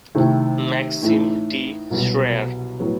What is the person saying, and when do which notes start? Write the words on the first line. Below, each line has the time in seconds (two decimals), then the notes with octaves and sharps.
Maxim D. Shrayer.
0.15 C3 D#3 A3 E4
1.02 A2 E3 A3 D#4
1.91 C2 B2 F#3 B3
2.80 A2 F#3 B3